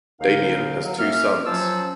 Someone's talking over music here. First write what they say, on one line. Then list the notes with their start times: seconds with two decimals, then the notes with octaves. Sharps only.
Damien has two sons.
0.21 D#2 D3 D#4 A#4 F5
0.84 F#3
0.99 F#2 A#3 C#4 E5 F6
1.46 F3 F#3 C#4 C5 A5 E6